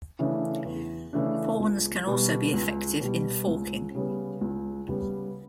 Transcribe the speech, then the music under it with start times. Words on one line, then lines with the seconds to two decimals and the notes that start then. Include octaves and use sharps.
Pawns can also be effective in forking.
0.19 C#3 E3 A3 D4
0.65 E2
1.13 C#3 E3 A3 D4
1.60 C#2
2.07 B2 G3
2.53 C#2
3.00 B2 G3
3.47 C#2
3.95 C#3 G3 B3
4.41 C#2
4.88 C#3 G3 B3